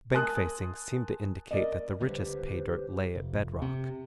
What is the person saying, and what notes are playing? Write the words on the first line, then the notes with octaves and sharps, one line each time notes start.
Bank facings seemed to indicate that the richest pay-dirt lay at bed-rock.
A#4 G#5 A5 C6 D#6 F#6
A#4 D5 D#5
C#2 D3 G3 G4 B4 C5
F1
C3